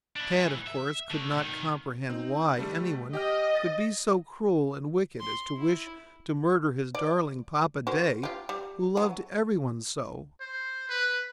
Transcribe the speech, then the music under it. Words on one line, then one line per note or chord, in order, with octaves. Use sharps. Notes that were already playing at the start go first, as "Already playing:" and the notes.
Tad, of course, could not comprehend why any one could be so cruel and wicked as to wish to murder his darling Papa-day, who loved every one so!
D4 E4
G#2 E3
E5
D3 A3
C2 D#3
C4 D#4
D3 G3 A3
G4 D#5 G5 F6
A6 A#6
C6
E4
D5
F#4 A#4 C5
F4 G4
G3
F#3
C5
B4